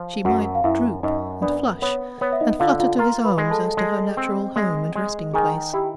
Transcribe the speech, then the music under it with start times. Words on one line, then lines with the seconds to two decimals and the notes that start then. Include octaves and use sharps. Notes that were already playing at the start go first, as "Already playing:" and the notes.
She might droop, and flush, and flutter to his arms, as to her natural home and resting-place.
Already playing: F3
0.25 F#2 F#4 F#5
0.55 F5
0.64 F#2 E4 E5
1.03 F#2 D#4 D#5
1.42 B3 D4 D5
1.82 B3 C#5
2.21 B3 C#5
2.33 E5
2.40 D#4 D#5
2.60 D3 F4 F5
2.79 F4 F5
2.99 F4 A#4 A#5
3.25 B4 B5
3.38 G#3
3.51 A4 A5
3.77 G#3
4.17 C4
4.56 G#3
4.96 G#3
5.34 D#3 G#4 G#5
5.73 E4 G4 G5